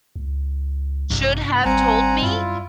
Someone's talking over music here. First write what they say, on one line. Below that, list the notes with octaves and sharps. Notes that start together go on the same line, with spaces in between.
should have told me?"
C#2
A1 G2 C3 G3
G#1 G3 C4 F#5 G#5 A#5
F#2 E4 F4